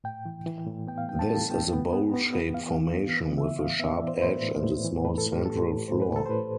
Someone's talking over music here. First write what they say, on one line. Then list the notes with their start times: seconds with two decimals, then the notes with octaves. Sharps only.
This is a bowl-shaped formation with a sharp edge and a small central floor.
0.04 A2 G5
0.25 E3
0.46 E3
0.66 A2
0.87 B3 G5
0.98 F5
1.08 G3 G5
1.19 A5
1.29 A2 A5
1.50 B3 G5
1.72 B3
1.93 B3
2.14 B3
2.33 B3
2.54 E3 F5
2.76 E3
2.96 B3
3.17 B3
3.38 E3 E5
3.59 A2 F5
3.79 B3 E5
3.93 D5
4.00 E3
4.08 C5
4.17 B4
4.22 A2 C5
4.42 A2
4.63 A2
4.85 E3
5.05 A2 B4
5.18 A4
5.27 A2 G4
5.46 A2 A4
5.68 A2
5.88 A2 C5
6.02 B4
6.09 A2
6.16 A4
6.26 C5
6.30 A2 B4